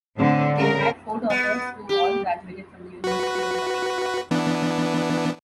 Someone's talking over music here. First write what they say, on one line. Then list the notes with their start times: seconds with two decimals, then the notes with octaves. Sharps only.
They had four daughters who all graduated from the University of Manitoba.
0.19 A2 D3 C4
0.56 C#3 A#4
1.30 B3
1.89 G4
3.04 F#4 B4
4.31 E3 B3 D4